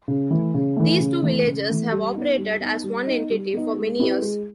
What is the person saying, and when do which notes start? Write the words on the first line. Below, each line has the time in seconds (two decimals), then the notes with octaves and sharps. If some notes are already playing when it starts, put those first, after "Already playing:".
These two villages have operated as one entity for many years.
0.08 C#3
0.31 E3 A3
0.54 C#3
0.77 E3 A3
1.00 C#3
1.23 E3 A3
1.46 C#3
1.69 E3 A3
1.92 G3
2.15 B3 D#4
2.38 G3
2.61 B3 D#4
2.84 G3
3.07 B3 D#4
3.30 G3
3.53 B3 D#4
3.76 G#3
3.99 C4 E4 G4 B4
4.22 G#3